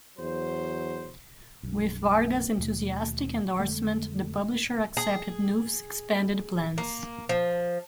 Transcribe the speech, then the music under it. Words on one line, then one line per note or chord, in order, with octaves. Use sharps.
With Varga's enthusiastic endorsement, the publisher accepted Knuth's expanded plans.
E2 F#3 C5
B1 F#2
D#2 B2 A3
F2 D3 G#3 A3
G#4
A#3
F3